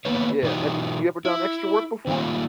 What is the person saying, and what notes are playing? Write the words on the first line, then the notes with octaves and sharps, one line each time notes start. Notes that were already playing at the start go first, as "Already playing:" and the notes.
Yeah, have you you ever done extra work before?
D#3 A#3 B3 B4 C#5
B2 E3 D#4 F#4 G4
E4
D#3 F#3 G3 A3 A#3 F4